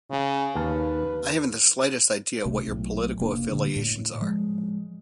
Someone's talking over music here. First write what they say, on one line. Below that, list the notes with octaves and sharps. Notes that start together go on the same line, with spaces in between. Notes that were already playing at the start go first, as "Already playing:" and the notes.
I haven't the slightest idea what your political affiliations are.
C#3
D#2 B4 F5 A5
C2 C3 A3
B1 A2
F1 C3 A#3 D4
D2 A#2 D3 A#3
A2
F3 G#3